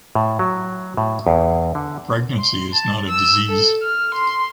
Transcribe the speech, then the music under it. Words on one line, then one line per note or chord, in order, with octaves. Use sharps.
Pregnancy is not a disease.
A2
F#3
A2
E2
D3
C6
A5
E6
A4
F6
C6